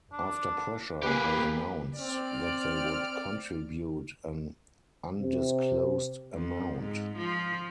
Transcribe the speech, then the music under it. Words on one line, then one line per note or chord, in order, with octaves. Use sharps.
After pressure, they announced that they would contribute an undisclosed amount.
D4
A#3 G4 G#4 B4
C4 D5 F6
C3
F2
G#2
F3